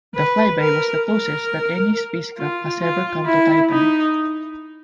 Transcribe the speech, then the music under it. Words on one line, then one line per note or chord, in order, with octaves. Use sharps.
The flyby was the closest that any spacecraft has ever come to Titan.
B4
A#4
A#4
F4
F4
E4
D#4